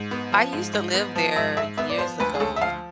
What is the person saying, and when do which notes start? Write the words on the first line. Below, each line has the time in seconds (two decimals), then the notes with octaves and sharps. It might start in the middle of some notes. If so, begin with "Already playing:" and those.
I used to live there years ago.
Already playing: G#2
0.11 B3
0.32 F3
0.53 G#2
0.73 G#2
0.94 B3
1.16 F3
1.36 G#2 E5
1.57 G#2 E5
1.78 B3 E5
1.90 D5
1.99 F3 C5
2.20 D2 B4
2.35 G#4
2.40 D2 A4
2.56 E5
2.61 F3 F5